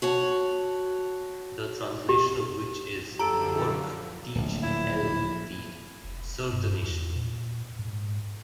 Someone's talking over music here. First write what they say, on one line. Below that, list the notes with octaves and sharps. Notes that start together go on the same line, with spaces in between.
The translation of which is Work, Teach, Help, Lead - Serve the Nation.
F#4 C#5 A5
G4
F#2 D3 F3 G4 A4 A#5 D7
D1 A#1
E4
F1
G2
E2
A#2
G#2